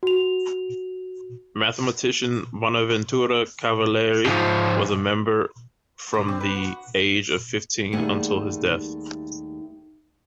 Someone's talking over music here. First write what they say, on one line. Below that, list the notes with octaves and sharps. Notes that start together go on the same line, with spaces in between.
Mathematician Bonaventura Cavalieri was a member from the age of fifteen until his death.
F#4 F7
G#2 F3
D3
C4
B4
F#4
D#2 G3 A3 D#4 G#4 F#5